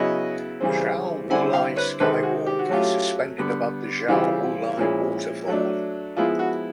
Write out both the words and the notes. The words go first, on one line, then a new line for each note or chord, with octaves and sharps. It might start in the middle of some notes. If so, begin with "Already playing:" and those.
Xiao Wulai Skywalk is suspended above the Xiao Wulai Waterfall.
Already playing: C#3 F#3 B3 E4 C#5 D#5
C#3 E3 G3 C4
D3 G3 C4 E4 F#5 G#5
F5 G5
B4 C#5
C3 D#3 G#3 C4 A4 B4
F#4 G#4
G4
F#4
F#3 A3 C#4 F4 G4
D3 G3 B3
C#3 E3 G3 C4 E4 F4 G4
A#2 F3 G#3 C#4 E4
F#3 A3 D4
F3 G#3 B3 E4 F4
F#4